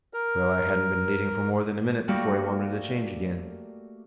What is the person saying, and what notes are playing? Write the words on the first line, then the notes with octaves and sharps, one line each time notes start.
Well, I hadn't been leading for more than a minute before he wanted to change again.
A#4
G3 A3 A#3 F#4